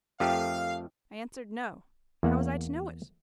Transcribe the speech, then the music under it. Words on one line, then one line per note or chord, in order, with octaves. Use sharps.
I answered, No; how was I to know it?
F2 F3 A3 G4 A#4 F5 A5
E2 A#3 F#5